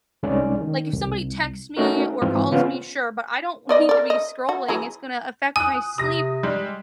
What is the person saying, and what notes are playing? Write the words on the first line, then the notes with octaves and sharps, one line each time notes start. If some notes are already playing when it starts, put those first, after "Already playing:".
like, if somebody texts me or calls me, sure, but I don't need to be scrolling, it's gonna to affect my sleep
C2 G#3 C#4 D#4 D5
D#3
C2
A3 C#4 D#4 F#4 A#4
G#2 E3 C4 F4
C#3 B3 C#4 F4 C5
B3 D5 D#5
A#4 D5
D#5
F#4
E3 F#3 G#4
G#5 D#6 F#6
C3 D#6 A#6
G3 G#3